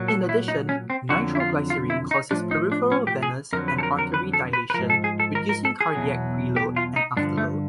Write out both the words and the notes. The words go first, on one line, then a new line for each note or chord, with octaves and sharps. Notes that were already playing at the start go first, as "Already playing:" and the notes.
In addition, nitroglycerin causes peripheral venous and artery dilation reducing cardiac preload and afterload.
Already playing: A#2 F#3
A4
E4
D#4
C#4
C4
F2 D3 F#3 F#4
E4
F4
F4
E4
D#4
A2 F3 D4
D#4
D4
C#4
G4
G#4
F2 D3 F#3 A#4
B4
A4
A#4
A#4
B4
A4
B4
B4
F3 A#4
G#2
A4
G#4
A4
A#4
A#4
A4
G#4
E2 B2 F#3
G4
F4
D#4
G2 D3 F3 D4
A3